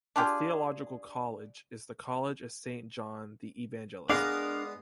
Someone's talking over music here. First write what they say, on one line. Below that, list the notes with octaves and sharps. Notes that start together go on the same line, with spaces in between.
The theological college is the College of Saint John the Evangelist.
D4 F4 G4 G#4
G#3 B3 D4 A#4 D#5 F5